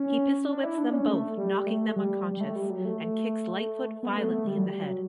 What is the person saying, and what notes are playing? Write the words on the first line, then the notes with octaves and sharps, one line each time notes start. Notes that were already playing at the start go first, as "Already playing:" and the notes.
He pistol-whips them both, knocking them unconscious, and kicks Lightfoot violently in the head.
Already playing: C#4
D4
E4
D4
C#4
A3
G3
A3
G3
G3
A3
G3
F#3
A3
B3
A3
A3
G3
F#3
G3
F#3